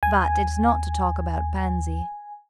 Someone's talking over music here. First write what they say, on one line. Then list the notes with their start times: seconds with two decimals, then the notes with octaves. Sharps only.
"But it's not to talk about Pansy."
0.03 D#2 G#5